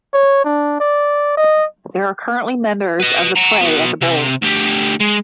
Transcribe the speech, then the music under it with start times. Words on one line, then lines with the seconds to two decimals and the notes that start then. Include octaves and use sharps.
They are currently members of the and play at The Bowl.
0.14 C#5
0.45 D4
0.80 D5
1.38 D#5
3.00 B4 D#5
3.36 F#5 A#5
3.61 F#3 B3
4.01 C3
4.42 D2 G4
5.01 G#3